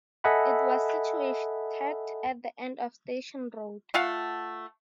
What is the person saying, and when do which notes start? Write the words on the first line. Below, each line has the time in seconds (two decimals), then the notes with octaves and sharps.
It was situated at the end of Station Road.
0.24 A4 D#5 E5 F#5 G#5 B5
3.94 A3 F4 F5 F#5